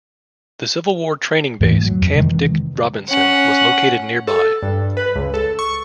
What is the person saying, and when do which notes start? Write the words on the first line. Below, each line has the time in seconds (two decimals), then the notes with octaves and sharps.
The Civil War training base Camp Dick Robinson was located nearby.
1.60 D#2 G#2 E3 A3
1.85 F#3
2.01 F2
2.16 C3 D#3 E3 G#3
3.09 C#4 F#5
4.28 A4
4.63 G2
4.97 B4
5.16 C#2
5.34 A4
5.59 C#6